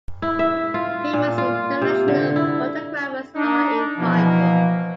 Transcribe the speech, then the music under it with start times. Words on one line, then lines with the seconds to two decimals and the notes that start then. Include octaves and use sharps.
Famous international photographers are invited.
0.22 E4
0.39 E5
0.74 F4
1.13 A#2
1.38 F4
1.82 C3
2.08 D3
2.36 E4
3.35 D4 D#4
3.98 B2 E3 F3 A#3